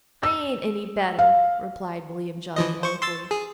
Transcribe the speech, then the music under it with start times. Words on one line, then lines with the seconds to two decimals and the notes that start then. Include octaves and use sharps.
"I ain't any better," replied William John mournfully.
0.23 E6
1.19 F5
2.56 E3 F3 D#5
2.83 C5 C#6
3.02 C6 E6 A6
3.31 G#4